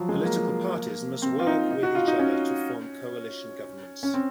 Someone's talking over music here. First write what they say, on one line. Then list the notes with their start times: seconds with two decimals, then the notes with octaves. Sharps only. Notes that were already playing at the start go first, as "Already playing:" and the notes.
Political parties must work with each other to form coalition governments.
Already playing: F3 F#3
0.09 G#3
0.25 A#3
1.22 C4
1.39 F4
1.47 D#4
1.71 D#4
1.83 F#4
1.95 F4
2.07 D#4
2.19 C#4
4.03 C#4
4.14 C4